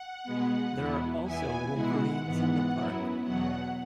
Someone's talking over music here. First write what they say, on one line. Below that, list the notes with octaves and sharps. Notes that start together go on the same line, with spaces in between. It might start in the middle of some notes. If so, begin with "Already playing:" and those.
There are also wolverines in the park.
Already playing: F#5
B2 G#3 B3
E2 B2 B3 E4
E2 E3 B3 E4 G#5
B2 G#3 E4 F#5
G#2 E3 B3
F#2 F#3 B3 E4
E2 B2 F#3 B3 F#5